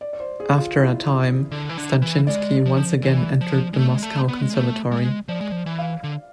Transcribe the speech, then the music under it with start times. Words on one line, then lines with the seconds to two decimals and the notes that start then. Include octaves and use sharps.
After a time, Stanchinsky once again entered the Moscow Conservatory.
0.01 D5
0.13 D5
0.20 C5
0.40 G#4
0.58 F4
0.77 E4
1.52 D3
1.69 E3
1.78 D3
2.02 E3
2.27 G#3 D5
2.66 F3
3.03 E3
3.41 F3
3.73 G#3
3.78 A3
3.95 G#3
4.03 A3
4.28 B3
4.42 G#3
4.54 A3
4.92 G#3
5.29 F3 D5
5.41 G#3
5.52 F3
5.66 E3
5.79 F5
6.04 D3